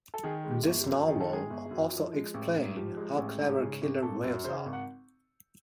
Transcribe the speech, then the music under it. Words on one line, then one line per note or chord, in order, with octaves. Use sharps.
This novel also explain how clever killer whales are.
A4
D#3 G#4
G#3
G4
G1
G4
F#2
D#3 G#4
A4
G#3 G#4
G1
F#2
F3
G#3
A1
G#2
F3 G4
G#3
A1
G#2
G4
C#3 G#4
G#1
G#1 A4
F#2
C#3 C5
G#1
F#5